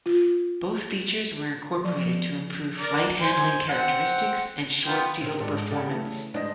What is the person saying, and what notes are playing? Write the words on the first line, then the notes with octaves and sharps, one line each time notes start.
Both features were incorporated to improve flight handling characteristics and short-field performance.
F4
F3
A#4 D5
C5 G#5
C4 F#5
B3 F4 G5
C3 D#3 C4
G#2 G#3 D4 A4
C#3 G4 A4 D5 F#5 A5
E3 A3
G#2 D4 D#5 A#6